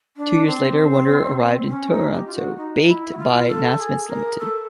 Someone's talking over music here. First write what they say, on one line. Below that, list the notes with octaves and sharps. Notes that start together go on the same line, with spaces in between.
Two years later, Wonder arrived in Toronto, baked by Nasmiths Limited.
D4
C4
C#4
D#4
G4
F4
F#4
D#4
D#4
E4
F#4
F4
A4
G#4
A#4
A4